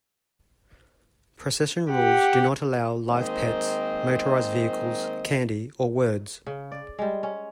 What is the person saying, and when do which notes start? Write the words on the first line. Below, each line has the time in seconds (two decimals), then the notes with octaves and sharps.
Procession rules do not allow live pets, motorized vehicles, candy, or words.
1.91 G4 F#5
3.09 D#3 G#3 A#3 C4 C5 D#5
6.46 C#3
6.72 D5
6.99 G3 G#3
7.23 C#4